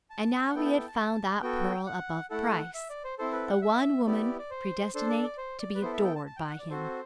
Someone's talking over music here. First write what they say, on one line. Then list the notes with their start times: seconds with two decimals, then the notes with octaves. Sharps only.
And now he had found that pearl above price, the one woman predestinate to be adored by him.
0.10 A5
0.50 F#5
0.55 B3 E4 A4 G5
0.66 G5
0.77 G5
0.87 A5
1.42 B3 F#4 A4 G5
1.86 F#5
2.30 A3 E4 A4 F#5
2.75 E5
2.90 D5
3.04 C5
3.19 C4 E4 A4 C5
3.33 B4
3.47 F#5
3.62 E5
4.07 B3 E4 G4 D5
4.39 D5
4.50 C5
4.95 D4 A4 C5
5.09 D5
5.23 D5
5.38 C5
5.60 D5
5.75 B4
5.81 B3 E4 A4 C5
5.94 E5
6.04 G5
6.16 A5
6.27 A5
6.37 G5
6.48 F#5
6.59 D5
6.70 C4 F#4 A4 C5